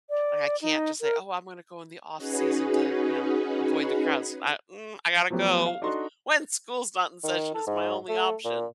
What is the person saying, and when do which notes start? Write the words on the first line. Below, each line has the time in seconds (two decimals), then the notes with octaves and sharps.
Like, I can't just say, "Oh, I'm gonna go in the off-season to, you know, avoid the crowds." I, mm, I gotta go when school's not in session is my only option.
0.10 D5
0.62 D#4
1.01 A#4
2.16 C#4 D#4 F#4 G#4 B4
5.30 F3 F#3 A3 B3 G4
5.66 F5
5.82 D4 D#4 F#4 A4 C6
7.23 D#3
7.55 A4
7.67 G#2
8.09 A3
8.45 A#2